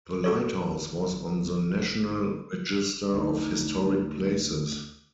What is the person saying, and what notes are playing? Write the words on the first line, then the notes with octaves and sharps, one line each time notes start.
The lighthouse was on the National Register of Historic Places.
F#4 A4 C#5
D2 D#4